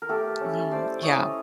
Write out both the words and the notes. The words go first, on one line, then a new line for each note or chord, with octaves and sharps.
Um, yeah.
A#4
A3 G4 A4
C#4 E4
A3 C5 D5
C#4 E4 C#5 D#5